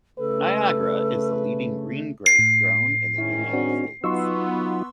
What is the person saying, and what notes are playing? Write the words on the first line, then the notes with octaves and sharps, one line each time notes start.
Niagara is the leading green grape grown in the United States.
C#3 A3 A4 B4
A2
G#2 D#3 C#4 E4
C4 D4 F#4
F#3 B3 D#4 F4 C6 C#6 E6